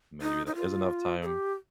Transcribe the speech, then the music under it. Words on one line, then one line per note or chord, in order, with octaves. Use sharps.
Maybe that is enough time."
D#4
D#4
F4
A4
G4